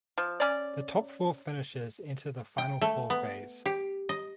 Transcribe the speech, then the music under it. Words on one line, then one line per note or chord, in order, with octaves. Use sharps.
The top four finishers enter the Final Four phase.
F3
C#4 D5
G5
A3
B3
G4
D#5